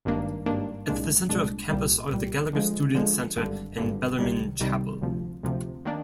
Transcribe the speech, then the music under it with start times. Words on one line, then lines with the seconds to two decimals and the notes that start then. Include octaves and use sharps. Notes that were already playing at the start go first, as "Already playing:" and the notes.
At the center of campus are the Gallagher Student Center and Bellarmine Chapel.
0.05 G#1 G2 D#3 A#3 D4
0.46 G#1 G2 D#3 A#3 D4
0.88 C2 A#2 G#3 D4
1.29 C2 A#2 G#3 D4
1.70 C2 A#2 G3
2.12 C2 A#2 G3
2.53 D3 F3 G#3
2.94 D3 F3 G#3
3.37 G#1 G2 D3
3.78 G#1 G2 D3
4.19 C2 C3 D#3 G3
4.60 C2 C3 D#3 G3
5.01 D2 C3 F3
5.43 D2 C3 F3
5.85 D#3 A#3 D4